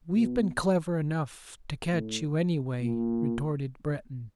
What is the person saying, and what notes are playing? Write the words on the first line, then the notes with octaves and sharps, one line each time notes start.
"We've been clever enough to catch you, anyway," retorted Breton.
B2
A2
A#2